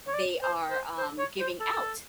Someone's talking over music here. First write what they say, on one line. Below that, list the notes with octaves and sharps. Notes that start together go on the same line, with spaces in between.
they are, um, giving out,
C#5
D5
C5
C5
C5
C#5
C5
A4